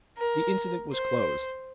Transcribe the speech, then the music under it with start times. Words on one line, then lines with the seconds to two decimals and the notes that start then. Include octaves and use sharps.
The incident was closed.
0.18 A#4
0.92 C5